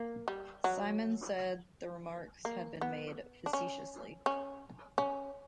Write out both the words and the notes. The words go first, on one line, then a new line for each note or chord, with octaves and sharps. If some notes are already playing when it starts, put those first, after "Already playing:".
Symons said the remarks had been made facetiously.
Already playing: A#3
G3
F#3
A#3
B3
D4
C#4
C#4
C#4